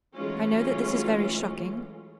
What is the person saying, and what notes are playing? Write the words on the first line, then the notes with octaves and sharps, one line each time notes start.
I know that this is very shocking.
E3 F#3 G#3 A3 C#4 F4